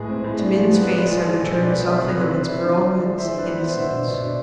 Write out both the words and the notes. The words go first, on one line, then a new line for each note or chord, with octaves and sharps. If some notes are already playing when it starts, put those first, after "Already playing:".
To Min's face had returned something of its girlhood's innocence.
Already playing: A2 G#3 G#4 B4
C4
A2
D4
F3
B3
G#3 B4 D5
G#3 F4
F3 F4
G#3
B2 A4 C5
D4 B4 D5
B3 B4 D5
D4 C5 E5
C3 B4 D5
C3 A4 C5
C4 B4 D5
E3 C5 E5
D3
D3
D4
G#3
E3 C5 E5
D4 B4 D5
B3
B3 C5 E5
B2 C5 E5
D4
B2
D4